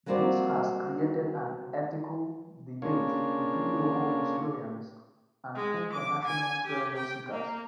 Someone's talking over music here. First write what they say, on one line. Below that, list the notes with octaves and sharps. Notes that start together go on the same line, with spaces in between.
This has created an ethical debate between local historians and international treasure seekers.
F#3 G3 A#3 C4 F#4 D5
C#3 A#3 D4 F4 C#5
G#3
D6
G#5
G4
G5
A#3